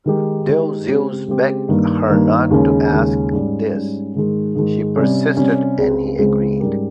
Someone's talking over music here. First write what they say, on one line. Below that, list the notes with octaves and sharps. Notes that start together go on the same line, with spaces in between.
Though Zeus begged her not to ask this, she persisted and he agreed.
D#3 G#3 D#4 G4
D#3 G#3 D#4 G4
C#3 G#3 C4 G4
C#3 G#3 C4 G4
G2 D#3 A#3
G2 D#3 A#3
D#2 C#3 G#3 C#4
D#2 C#3 G#3 C#4
G#2 G3 C#4
G#2 G3 C#4
G#2 D#3 G#3
G#2 D#3 G#3
C3 G3 C#4
C3 G3 C#4
C#2 C#3 G#3 C4
C#2 C#3 G#3 C4
G#2 G3 C#4 G4 A#4